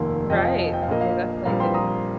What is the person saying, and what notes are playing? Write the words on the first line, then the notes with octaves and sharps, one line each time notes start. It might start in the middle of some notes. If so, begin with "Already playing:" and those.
Right. They definitely did.
Already playing: F1 D#2 D#3 A#3 C6
F1 F2 F3 D#5 G5
F5
D#5
G5
F5
A#1 A#2 A#3 D#5
F5
A#1 A#2 G3 C4 F5 A#5
G5 C6
A#5 D#6